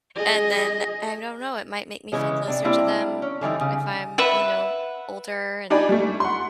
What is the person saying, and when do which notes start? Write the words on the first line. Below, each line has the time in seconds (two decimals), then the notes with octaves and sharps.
and then, I don't know, it might make me feel closer to them if I'm, you know, older and
0.16 G#4 D#5
2.12 C#3 E3 G#3 C#4
2.47 C3 D4 A5
2.64 G3 A#3 C4 D4 E4
3.22 C#4
3.41 D3 E3 G3 D#4
3.61 C#3
4.18 B4 E5 F#5
5.70 D4 D#4 G4 D5 G#5 B5
5.89 G3 A3
6.20 F#5 C6